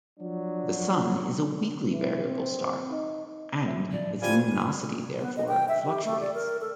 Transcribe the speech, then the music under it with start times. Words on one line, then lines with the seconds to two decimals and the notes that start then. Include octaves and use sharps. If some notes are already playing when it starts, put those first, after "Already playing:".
The Sun is a weakly variable star, and its luminosity therefore fluctuates.
0.19 F3 F#3 D4
1.92 E3
2.25 C4
2.91 D#4
3.68 E5
3.92 A2 F3 D5
4.22 G3 C#4 F4 C5 F5 G#5
5.19 B3
5.36 D#5
5.48 G5
5.68 E5
5.86 G4
6.05 A3
6.21 D5
6.34 A#4
6.61 A4